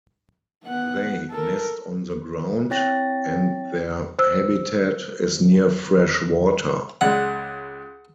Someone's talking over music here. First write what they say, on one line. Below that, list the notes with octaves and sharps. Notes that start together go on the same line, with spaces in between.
They nest on the ground, and their habitat is near fresh water.
B3 F#5
A4 A#4
C4 E4 C#5 G5 A6 A#6
C5 E6
C#2 G#3 F#5